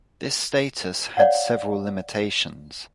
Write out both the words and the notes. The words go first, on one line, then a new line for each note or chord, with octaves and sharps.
This status had several limitations.
C#5 D5 F5 F#5